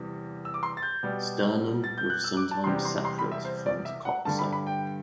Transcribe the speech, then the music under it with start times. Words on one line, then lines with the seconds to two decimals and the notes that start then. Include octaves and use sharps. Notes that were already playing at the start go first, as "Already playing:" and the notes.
Sternum with sometimes separated front coxa.
Already playing: E2 C3 E3 G3
0.45 E6
0.54 D6
0.63 C6
0.77 A6
0.83 G6
1.03 B2 G3
1.84 A6
1.98 G6
2.10 F#6
2.24 E6
2.37 D6
2.51 A5
2.64 E2 C3 G3 C6
2.85 C6
3.05 C6
3.19 B5
3.32 E5
3.45 C5
3.66 D5
3.85 E5
4.05 F#5
4.25 G2 D3 G3 A5
4.39 B5
4.53 B5
4.67 G5